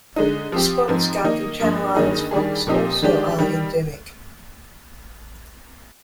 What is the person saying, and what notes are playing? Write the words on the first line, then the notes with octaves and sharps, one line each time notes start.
The spotted skunk and Channel Islands fox also are endemic.
D3 G#3 D#4
F3 C4 G4
G#2 F3 C4
D#3 A#3 D#4
G2 F3 A#3
G2 D#3 A#3 D#4 G#4
D#3 G3 D4 G#4
A#2 F3 C4 D#4 G4
D#3 G#3 D4 G4
D#3 G3